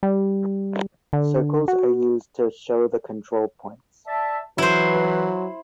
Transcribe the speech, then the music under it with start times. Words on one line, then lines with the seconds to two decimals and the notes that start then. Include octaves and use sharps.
Circles are used to show the control points.
0.03 G3
1.13 D3
1.68 F#4
4.07 D5 E5 A5
4.58 E3 F#3 E4 B4 C5